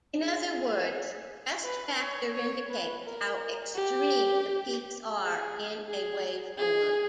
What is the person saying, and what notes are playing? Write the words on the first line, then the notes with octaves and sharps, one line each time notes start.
In other words, crest factor indicates how extreme the peaks are in a waveform.
G#4
B4
C#5
C#5
B4
A#4
G4
G#4
G#4
G#4